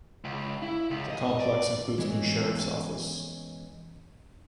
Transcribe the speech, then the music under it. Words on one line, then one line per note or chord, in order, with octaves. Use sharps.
The complex includes a new sheriff's office.
C#2
E4
C#2
D#5
D5
E3 G#3 B3 C#4 F#4